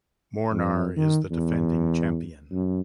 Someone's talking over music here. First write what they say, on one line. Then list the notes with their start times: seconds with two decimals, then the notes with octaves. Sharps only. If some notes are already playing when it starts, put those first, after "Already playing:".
Mornar is the defending champion.
0.52 F2
0.96 D#3
1.31 E2
2.52 F#2